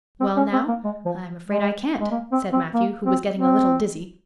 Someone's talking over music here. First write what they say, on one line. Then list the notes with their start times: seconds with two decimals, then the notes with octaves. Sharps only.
"Well now, I'm afraid I can't," said Matthew, who was getting a little dizzy.
0.20 C4
0.37 C#4
0.53 C4
0.68 A#3
0.84 G#3
1.05 F3
1.48 G#3
2.00 G#3
2.11 A#3
2.32 C4
2.53 C4
2.74 A#3
3.06 C4
3.37 C4